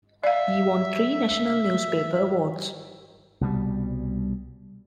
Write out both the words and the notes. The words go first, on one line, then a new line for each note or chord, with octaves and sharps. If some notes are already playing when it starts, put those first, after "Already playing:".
He won three National Newspaper Awards.
D5 E5 F5
C2 B2 G3